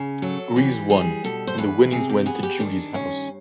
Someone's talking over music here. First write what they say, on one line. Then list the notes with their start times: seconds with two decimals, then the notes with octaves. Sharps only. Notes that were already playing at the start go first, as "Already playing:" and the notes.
Griese won, and the winnings went to Judi's House.
Already playing: C#3
0.22 F#3 A4
0.56 E3 G4
0.90 G3 G#4
1.24 B2 A4
1.47 C5
1.58 E2 B4
1.92 C3 G#4
2.09 G4
2.26 B3 G#4
2.43 G4
2.60 D#3 D4
2.94 G2 C#4